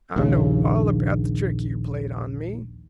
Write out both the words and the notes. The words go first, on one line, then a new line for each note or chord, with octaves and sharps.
I know all about the trick you played on me.
A#1 D#2 C#3